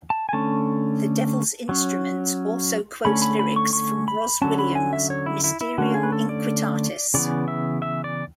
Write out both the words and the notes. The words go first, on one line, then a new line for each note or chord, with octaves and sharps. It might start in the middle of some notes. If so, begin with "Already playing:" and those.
"The Devil's Instrument" also quotes lyrics from Rozz Williams' "Mysterium Inquitatis".
A5
G#5
D3 A3 C#4 A5
F#3 C#4
D3 A3 C#4 B5
B5
B5
C#6
C#6
B5
D3 F#3 C#4 A5
B5
G#5
E5
C#5
E4
E4
E4
D3 A3 C#4 F#4
G#4
B4
A4
D5
C#3 E3 B3 D5
E5
E5
D5